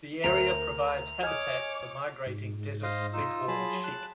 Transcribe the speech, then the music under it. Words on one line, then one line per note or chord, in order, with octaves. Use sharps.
The area provides habitat for migrating desert bighorn sheep.
D2 A#4 C5 A#5 F6 F7
C#5 D#5 G#5 D6 D#6 F6 G#6
G#2
C5 D#5 F5
D#4 F4 E6
F#3 G#4 A5 B5
A5 F#6